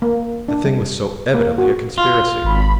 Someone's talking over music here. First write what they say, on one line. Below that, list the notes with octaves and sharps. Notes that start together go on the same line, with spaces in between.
The thing was so evidently a conspiracy.
A#3
D4
G3
A#3
F#4
F4
G#1 B5